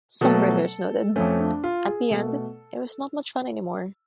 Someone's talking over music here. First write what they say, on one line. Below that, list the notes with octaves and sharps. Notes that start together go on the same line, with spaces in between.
Some regulars noted, At the end, it was not much fun anymore.
B2 F#3 A3 A4
F2 F3 A3 C#4
D4
F4
G#4
B2 A3 A4